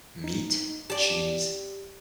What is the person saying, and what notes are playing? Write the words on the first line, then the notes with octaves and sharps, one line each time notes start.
meat, cheese,
D#4
G4 D5 A5